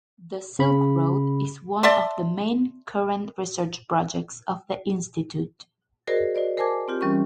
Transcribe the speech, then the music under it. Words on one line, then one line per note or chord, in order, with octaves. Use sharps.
The Silk Road is one of the main current research projects of the institute.
C#3 B5
D5 E5 A5 C6
F#4 G#4 A#4 C5 D5 D#5
F#4 C5 D5 D#5
A#4 C5 G#5 A5 D6 G#6
C4 F4 G4
E3 G3 C#4 A#4 C#6